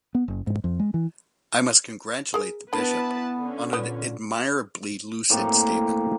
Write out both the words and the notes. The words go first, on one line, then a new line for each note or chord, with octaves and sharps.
I must congratulate the bishop on an admirably lucid statement.
B3
F#1
G#2
F2
G#3
E3
G#4 A#4
B3 D4 E4 A#4 B4 A5 B5
D3 C#4
A#2 B3
A2 A#3 C4 A#5